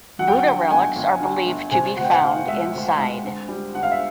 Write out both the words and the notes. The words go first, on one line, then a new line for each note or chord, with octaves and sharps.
Buddha relics are believed to be found inside.
F#3 F#5
G5
F#5
D3
G1 G#5
G1
D3
G1
C3 G#5
D2 F#5
G5
F#5
D2 F5
G#3 E5
D2
G#3
D3
G3
D3 F#5
F5
E5